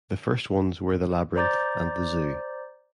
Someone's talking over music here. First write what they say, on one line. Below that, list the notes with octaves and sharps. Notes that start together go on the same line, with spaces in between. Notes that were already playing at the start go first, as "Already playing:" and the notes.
The first ones were the labyrinth and the zoo.
C5 D5 A#5 D6 G6 A6